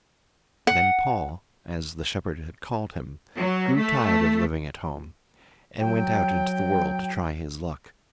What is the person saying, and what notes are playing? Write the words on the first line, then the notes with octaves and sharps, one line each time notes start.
Then Paul, as the shepherd had called him, grew tired of living at home, and went out into the world to try his luck.
F#5
F#3
A3
F#3 G5